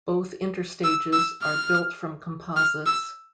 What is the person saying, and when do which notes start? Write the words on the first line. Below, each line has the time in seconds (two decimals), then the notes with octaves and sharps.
Both interstages are built from composites.
0.84 E6
1.13 E6
1.42 F6
2.56 F6
2.86 E6